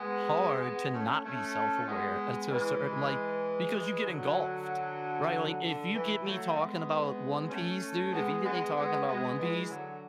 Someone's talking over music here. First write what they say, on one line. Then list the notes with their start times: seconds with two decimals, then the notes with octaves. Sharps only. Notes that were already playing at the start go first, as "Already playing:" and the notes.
hard to not be self-aware, uh, to a certai like, because you get engulfed. Right? Like, if you get me talking about One Piece, dude, if you get me talking about One Piece,
Already playing: G#3 B3
0.62 G#3 B3
0.92 A3 C#4
1.24 A3 C#4
1.87 G#3 B3
2.50 E3 G#3
3.74 E3 G#3
4.05 D3 F#3
5.63 D3
5.94 E3
6.25 F#3 A3
6.56 G#3 B3
7.50 A3 C#4
8.12 G#3 B3
8.44 G#3 B3
8.75 G#3 B3
9.06 G#3 B3
9.37 E3 G#3
9.69 D3 F#3